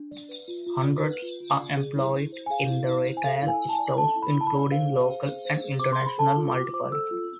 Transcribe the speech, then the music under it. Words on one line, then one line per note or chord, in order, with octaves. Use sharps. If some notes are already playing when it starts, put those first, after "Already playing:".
Hundreds are employed in the retail stores including local and international multiples.
Already playing: D4
D5
B4
F4
F4
D5
B4
F4
F4
D5
G#4
E4
E4
C5
G#5
G#4 F5
E4
E4
C5
G#5
A4 F5
E4 F5
G#5
E4
A5
G#5
D5
A4 A5
E4
B5
E4
A5
B5
D5
C5 F5
G#4
C5
G#4
C5
G#4
C5 D6
C6
G#4
B5
A4 A5
F4
F4 D6
C5 D6
A4 E6
F4